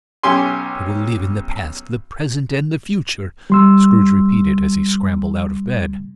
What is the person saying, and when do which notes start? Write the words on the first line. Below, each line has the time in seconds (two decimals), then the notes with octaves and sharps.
"I will live in the Past, the Present, and the Future!" Scrooge repeated, as he scrambled out of bed.
0.23 B1 C#4 G4 G#5 C6
3.50 G3 C6 E6